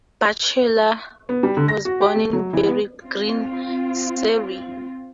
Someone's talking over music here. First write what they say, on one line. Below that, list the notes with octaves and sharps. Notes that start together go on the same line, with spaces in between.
Batchelor was born in Beare Green, Surrey.
B3
G3
D3
A#6
F#4
G4
A3
F#3
E3
B3
C4 F4